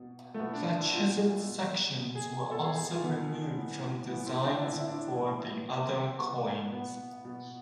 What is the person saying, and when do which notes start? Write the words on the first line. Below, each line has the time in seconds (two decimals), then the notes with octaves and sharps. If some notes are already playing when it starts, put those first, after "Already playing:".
The chiseled sections were also removed from designs for the other coins.
Already playing: B2
0.34 A3
0.40 B2 B3
0.54 D4
0.66 D4
0.80 E4
0.93 B2 F4
1.45 B2
1.98 B2
2.15 G#4
2.33 G#4
2.51 B2 A4
2.64 G#4
2.77 G#4
2.91 F4
3.03 B2 B3
3.56 A2
3.61 E3
4.08 A2 E3 B3
4.26 C4
4.44 D4
4.61 A2 E3 E4
4.80 E4
4.88 D4
5.15 A2 E3
5.68 B2
6.19 B2 B3
6.72 B2 B3
7.25 B2